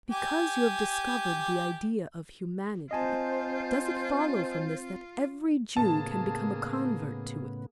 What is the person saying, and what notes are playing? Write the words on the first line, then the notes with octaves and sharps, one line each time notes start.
Because you have discovered the idea of humanity, does it follow from this that every Jew can become a convert to it?
G4 G#5
C4 F4 C5 D#5 G#5 A5
A2 C#3 A#3 B3 G#4 A5